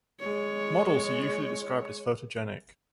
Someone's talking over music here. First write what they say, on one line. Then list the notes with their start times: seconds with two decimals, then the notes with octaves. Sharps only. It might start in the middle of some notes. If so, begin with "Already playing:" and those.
Models are usually described as photogenic.
0.20 G#3 C#5